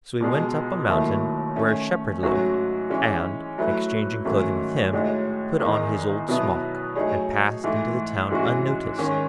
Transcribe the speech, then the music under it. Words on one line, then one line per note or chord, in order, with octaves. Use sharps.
So he went up a mountain, where a Shepherd lived, and, exchanging clothing with him, put on his old smock, and passed into the town unnoticed.
C#2 B2 G#3
D#2 D#3 F#3 A3 E4
D#3 A3 C#4
G#2 F#3 A3 C#4 F#4
E3 G#3 C#4
F#3 A3 E4 B4
G#2 D#3 F#3 A3 C#4
A2 G#3 D#4 F#4 C#5
E2 D#3 G#3 D#4
B2 F#3 B3 E4 B4
F#3 A3 D#4 G#4 C#5
G#2 E3 A3
G#2 E3 G#3 C#4 F#4
G#2 D#3 G#3 C#4